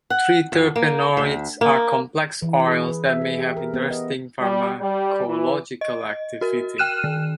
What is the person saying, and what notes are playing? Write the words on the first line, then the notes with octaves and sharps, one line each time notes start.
Triterpenoids are complex oils that may have interesting pharmacological activity.
F#5
F2
A#3
D2
A#3
E3
G#4
B4
E5
G#4
G4
A#4
B3
D#5
G3
G3
E3
D#5
F#4 A#4
G5 F6 F#6 D#7 E7
D#3